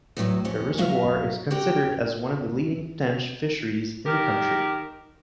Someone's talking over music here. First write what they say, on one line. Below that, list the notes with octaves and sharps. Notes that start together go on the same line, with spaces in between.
The reservoir is considered as one of the leading tench fisheries in the country.
E2 A2 E3 F#3
F2 A3 C#4
F#3 A#3 F#4 E5 F5
F#4 G4 A#4 G5
D#3 G4 A#4